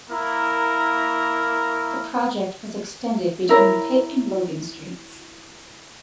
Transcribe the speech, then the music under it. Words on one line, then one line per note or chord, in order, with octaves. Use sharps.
The project was extended between Pitt and Logan Sts.
A#3 E4 A#4
E4 A#4 C#5